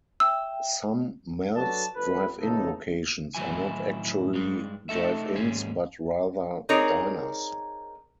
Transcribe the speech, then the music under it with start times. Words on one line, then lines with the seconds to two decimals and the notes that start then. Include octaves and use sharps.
Some Mel's Drive-In locations are not actually drive-ins, but rather diners.
0.20 E5 G5 E6
1.56 F#3 D4 F#4 A4 B4 A5
1.95 G1 D2 F3 A4 B4
2.40 C#3 E3 D#4 A4
3.35 A2 D#3 F#3 E4 G#5
4.34 G2 G#3
4.89 A3 D#4 A4 E5
5.36 D#2 G#2 C#4 G#4
6.69 C4 D#4 G#4 A#4 C#5 D5